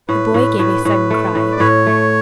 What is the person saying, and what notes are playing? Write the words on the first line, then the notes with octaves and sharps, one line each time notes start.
The boy gave a sudden cry.
A2 B4
A2
A2
A2
A3
A2
D5
A2 C#5
A3